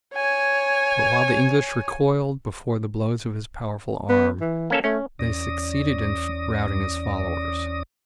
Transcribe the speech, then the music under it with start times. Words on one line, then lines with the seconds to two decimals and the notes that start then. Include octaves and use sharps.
But while the English recoiled before the blows of his powerful arm, they succeeded in routing his followers.
0.15 C#5 G#5
4.09 B3
4.41 E3
4.70 A#3 C#4 A4
4.84 A3 C#4
5.19 E2 C#4 D5 D#6 A#6